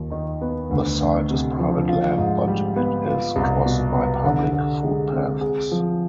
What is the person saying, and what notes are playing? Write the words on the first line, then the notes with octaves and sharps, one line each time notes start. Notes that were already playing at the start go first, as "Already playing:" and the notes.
The site is private land but it is crossed by public footpaths.
Already playing: D#2 F4
D#3
B3
D2
D2
C3
F3
F4
G#2
G3
B3
F4
C2
B2
B3
D3
D3
G#3
C4
G#4
F3